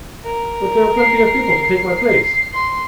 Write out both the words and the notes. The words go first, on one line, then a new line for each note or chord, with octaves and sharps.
But there are plenty of people to take my place.
A#4
C7
C6